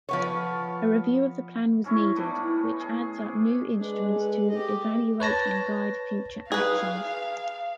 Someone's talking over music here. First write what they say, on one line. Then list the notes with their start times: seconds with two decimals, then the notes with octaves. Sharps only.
A review of the Plan was needed, which adds up new instruments to evaluate and guide future actions.
0.09 F3 B3 C#5
1.84 G#2 C#4 E4 C#5
2.15 G3 A3 B3
2.35 A2
2.80 G#4
3.18 C3
3.79 G#3 D4 B4
4.11 A4 B4
4.50 G4 D#5
5.20 B4 C#5 A5 A#6
6.52 G#4 B4 F5